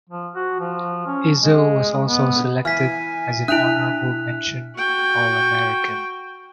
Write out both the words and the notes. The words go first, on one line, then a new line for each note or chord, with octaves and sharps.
Izzo was also selected as an Honorable Mention All-American.
F3
F#4
F3
C#4
G#3
B3
E3 G#5 F6 B6
D4 E4 E5 F#6 F7
F#4 G5